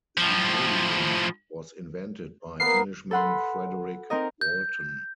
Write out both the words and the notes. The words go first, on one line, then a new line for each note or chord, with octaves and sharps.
Linoleum was invented by Englishman Frederick Walton.
A2 F3
A#3 B3 A#4 C7
A4 B4 F#5 B5 C6
C4 D#4 A#4 D#5
G6